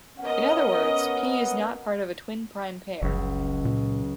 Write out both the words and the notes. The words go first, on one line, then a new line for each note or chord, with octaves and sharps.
In other words, "p" is not part of a twin prime pair.
B3 C#4 A#4 D#5 F#5
F#1 C#2 F#3
A#2